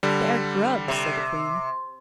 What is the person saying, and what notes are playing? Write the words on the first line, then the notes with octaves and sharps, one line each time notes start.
"They are Grubs," said the Queen.
D3 G3
C3